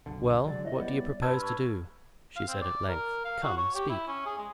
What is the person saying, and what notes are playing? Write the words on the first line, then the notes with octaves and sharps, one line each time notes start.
"Well, what do you propose to do?" she, said at length; "come, speak."
F#1 B1 D3
D3 F#3 G#3 D5
E4 C#5 D#5 E5
G3 B3 D5
G2 B4 A5 C6 E6 G#6
C#6 F6
F5
C4
D5
A#4
F5
F#4
C#5
G4
E4
C#4
G#4
G#3